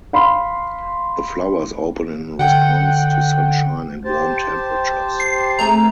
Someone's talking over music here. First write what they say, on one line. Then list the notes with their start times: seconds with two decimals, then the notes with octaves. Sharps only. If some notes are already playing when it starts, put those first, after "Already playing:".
The flowers open in response to sunshine and warm temperatures.
0.13 F5 B5 C6
2.39 D3 F#5 G5
4.03 G4 C5 A5
5.20 C7
5.59 A3 C4 G#4 A#5